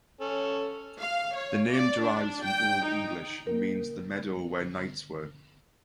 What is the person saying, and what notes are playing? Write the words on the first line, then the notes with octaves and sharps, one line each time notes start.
The name derives from Old English and means the meadow where knights were.
C#4 A4
F5
C#5
D5
D4
G5
D#4
A#3 A#4